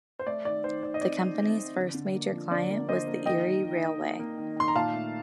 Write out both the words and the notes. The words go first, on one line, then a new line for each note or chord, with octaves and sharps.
The company's first major client was the Erie Railway.
C5
A3 D5
D#3 D5
D#3 C5
D#3 D5
D#5
C4 D5
D#3
C4
C4
D3
D3
A#3
F3
D3 D5
A#3
D3 C5 D#5
A#3
D#3 D#5 G5
D#3
D#3
D#3
A#3
A#3
D#3
D#3 C6
A#5
A#2 F5 A5
A3